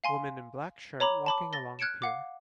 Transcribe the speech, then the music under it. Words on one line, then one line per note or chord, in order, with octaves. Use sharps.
Woman in black shirt walking along pier.
F5 G#5 C6
C#5 A#5 B5 D6
A5 B5 D6
A6 A#6 G7
F6 F#6 G#6 C#7 D7 E7
F5 F#5 D6